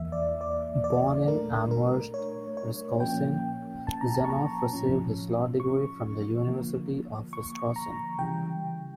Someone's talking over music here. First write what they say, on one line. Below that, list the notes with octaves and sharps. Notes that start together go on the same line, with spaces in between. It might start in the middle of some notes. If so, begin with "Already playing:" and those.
Born in Amherst, Wisconsin, Zenoff received his law degree from the University of Wisconsin.
Already playing: E2 E3 A#3 E5
D5
D5
D5
A#2 A3 D4 A#4
A#4
C#5
C#5
A#2 F3 A#3 C#4 G5
A5
A#5
A5
C#6
A#5
A2 F3 C#4
C#6
D3 F3 A#3
C#6
A#5
C#3 E3 G3 G5